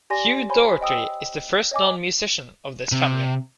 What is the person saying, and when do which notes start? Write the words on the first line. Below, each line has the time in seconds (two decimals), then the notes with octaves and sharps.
Hugh Doherty is the first known musician of this family.
0.10 G4 D5 G#5 C6 A#6
0.49 C5 C#5 G#5 B5 C6
0.81 D#5 G5 D#6 E6
1.71 C#5 D#5 G#5 D6
2.92 C3